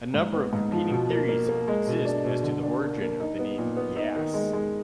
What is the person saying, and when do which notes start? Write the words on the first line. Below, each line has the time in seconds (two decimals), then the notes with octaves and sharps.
A number of competing theories exist as to the origin of the name "Yass".
0.14 G#2
0.33 B3
0.53 G#2
0.72 F3
0.90 B2
1.10 A#3
1.29 A#3
1.49 A#3
1.68 G#3
1.87 B2
2.05 D4
2.25 B2
2.43 D3
2.63 D4
2.82 A#3
3.01 A#3
3.20 D#4
3.39 B3
3.58 A#2
3.77 B3
3.96 D#4
4.16 D#3
4.34 G#3
4.53 G#3